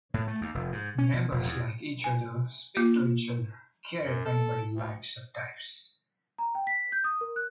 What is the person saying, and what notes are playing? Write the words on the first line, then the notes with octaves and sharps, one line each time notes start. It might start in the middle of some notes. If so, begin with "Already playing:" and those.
Neighbors like each other, speak to each other, care if anybody lives or dies!
A2
A3
D#2
F1
G#2
C#4
B2
F1
E2
G#5
A#3 F4
F#2
A4
D2
A#5
G5
B6
G6
D#6
A#4
F#6